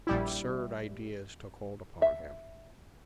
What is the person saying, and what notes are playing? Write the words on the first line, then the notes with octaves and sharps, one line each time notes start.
Absurd ideas took hold upon him.
A#1 G3 E4
E5